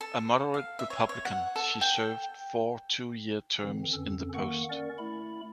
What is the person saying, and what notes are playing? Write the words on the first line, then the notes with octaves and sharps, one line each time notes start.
A moderate Republican, she served four two-year terms in the post.
A4
F5
E5
C#5
C#5
F#5
A4
G5
D3 E3 C4
F2 D3 C#4 A4
D#3 A#3 F#5 C#6
C#4 A#4 D5
A3 E4 B5